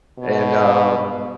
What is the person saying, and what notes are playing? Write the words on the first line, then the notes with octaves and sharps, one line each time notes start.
And, um
B2